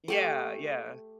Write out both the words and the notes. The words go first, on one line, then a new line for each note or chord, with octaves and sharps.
Yeah, yeah.
A3 G4 G#5